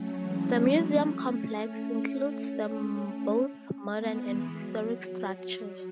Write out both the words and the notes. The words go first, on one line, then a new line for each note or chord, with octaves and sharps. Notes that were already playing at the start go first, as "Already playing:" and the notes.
The museum complex includes the both modern and historic structures.
Already playing: F#3 A3 C#4
E3 G#3
A3 C#4
A3 C#4
G#3 B3
E3 G#3
F#3
F#3